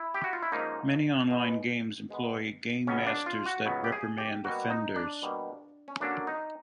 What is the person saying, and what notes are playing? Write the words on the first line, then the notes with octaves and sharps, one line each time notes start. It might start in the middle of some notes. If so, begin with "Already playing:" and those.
Many online games employ gamemasters that reprimand offenders.
Already playing: E4
G4
F#4
F4
E4
G#2 F3 A#3 C#4 D#4
B2 G#3 B3
B2 G#3 B3
C#2 C#3 F#3 B3 C#4
D4
F4
F#4
C#2 C#3 F#3 B3
G4
G#4
G4
B2 G3 A#3 F#4
D#4
D4
B2 G3 A#3
C#4
F#2 D3 F#3 A#3 C#4 D4
D#4